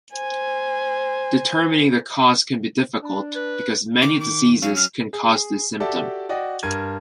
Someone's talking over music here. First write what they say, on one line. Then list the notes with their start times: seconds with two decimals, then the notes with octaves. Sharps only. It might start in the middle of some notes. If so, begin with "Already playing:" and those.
Determining the cause can be difficult, because many diseases can cause this symptom.
0.13 C5 G#5
3.02 D4
3.36 B4
4.02 D#3 D6
4.20 D6
4.62 F#3 C#4 F5
4.76 F6
5.13 G#4
5.80 F#4 G4 A4 D5 E5 A5
6.29 F#4 D5 D#5 G5
6.63 G2 A#4 G#6 D#7